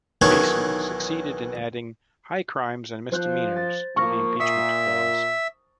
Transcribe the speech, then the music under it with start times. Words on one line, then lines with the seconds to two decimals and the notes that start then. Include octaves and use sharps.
Mason succeeded in adding "high crimes and misdemeanors" to the impeachment clause.
0.22 B1 D#3 E3 D4 C#5
3.12 F3 C5 F#6 G6
3.56 A6
3.96 F3 A#3 C#6 F6 A#6
4.40 A#2 E5 D#6 C7 C#7